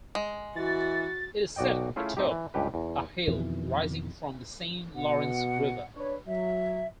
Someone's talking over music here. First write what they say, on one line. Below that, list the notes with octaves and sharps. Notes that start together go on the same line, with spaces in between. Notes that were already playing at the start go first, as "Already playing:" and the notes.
It is set atop a hill rising from the Saint Lawrence River.
G#3
E3 F#4 A6
B1 F#4 D5 D#5 G5
A3 C#4 E4 F4 G#4
A3 C4 D#4 G4
E3
C#2 G2 G4 B4
E2
F2 B2 D#3 E3
B2 F#5
D4 B4 C#5
F#3 E5